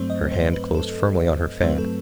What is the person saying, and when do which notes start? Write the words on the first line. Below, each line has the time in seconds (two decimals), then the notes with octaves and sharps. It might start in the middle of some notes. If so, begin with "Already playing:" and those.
Her hand closed firmly on her fan.
Already playing: G2 F#3 A3 C4 C5
0.10 D#5
0.31 C5
0.53 B4
0.75 A4
1.61 G2 F#3 A3 C4 C5
1.70 B4
1.78 A4